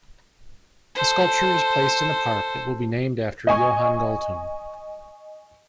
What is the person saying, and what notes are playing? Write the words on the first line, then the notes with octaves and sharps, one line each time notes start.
The sculpture is placed in a park that will be named after Johan Galtung.
A4 C5
D#5 G#5 C#6